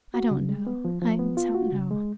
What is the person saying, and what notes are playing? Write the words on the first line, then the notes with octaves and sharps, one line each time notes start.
"I don't know, I don't know."
F#4
C#3
G#3
B3
F3
F3
B3
F4
F#4
C#3
G#3